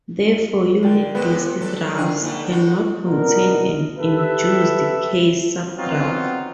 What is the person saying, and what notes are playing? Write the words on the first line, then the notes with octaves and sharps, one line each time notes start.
Therefore, unit disk graphs cannot contain an induced K subgraph.
D3 A#4 D5 G5
F2 C3 B3 E4
D#2 F#3 D4 A4
D3 D#3 G#4
G#2 B2 A3 A#3 D#4 A#4
A2 F#4
B1 B3 D4 D#4 A#4
G4 A4 B4 E5
F#3 B3 C4 D#4 F4 F#4